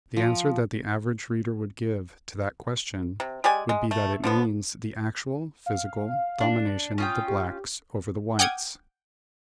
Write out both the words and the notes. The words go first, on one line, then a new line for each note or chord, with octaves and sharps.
The answer that the average reader would give to that question would be that it means the actual, physical domination of the blacks over the whites.
F3
C3
G#3 G4 D5 G#5
G#3
A3
D3 F3 B3
F5
D4
C#4 F4 G5 D#6
G4
F#5 G5 D6 D#6 F6 G#6